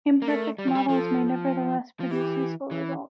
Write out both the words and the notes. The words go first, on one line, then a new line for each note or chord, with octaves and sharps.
Imperfect models may nevertheless produce useful results.
A#3
A3 A#4
G3
F3
G3
F3 A4
F3
E3 G4
E3